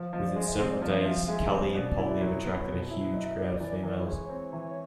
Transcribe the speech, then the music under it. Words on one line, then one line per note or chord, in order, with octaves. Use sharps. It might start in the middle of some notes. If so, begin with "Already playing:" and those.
Within several days Calli and Polly have attracted a huge crowd of females.
Already playing: F3
F3 D#5
D5
G#3 D#5
E5
C4 D#5
D5
F3 D#5
D#5
F3 E5
F5
G#3 E5
C4 D#5
B2 D5
E4
F#3 C#5
B3
B2
E4
F#3 D#5
E5
B3 D5
D#5
D5
E3 D5
E3 D5
C#5
G#3 C#5
C4
E3